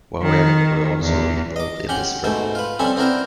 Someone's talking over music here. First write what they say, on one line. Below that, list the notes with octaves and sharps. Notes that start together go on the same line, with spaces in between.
Waware were also involved in this struggle.
D#3
E2
D#5 D6
C#4 G4 F#5 C6
G#2 B2 A3 C5
F4 B4
G3 C4 C#4 A4 E5
B3 C4 D4 E4 A#4 C5